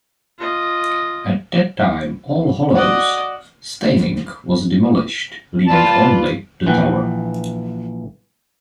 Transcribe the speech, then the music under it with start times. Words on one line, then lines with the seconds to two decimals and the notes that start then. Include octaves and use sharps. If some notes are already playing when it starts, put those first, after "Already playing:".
At that time All Hallows Staining was demolished, leaving only the tower.
0.39 F4 D#5
2.75 F#4 D5 D#5 F#5
5.67 F4 B4 D5 A5
6.66 A#1 E3 F#5 G5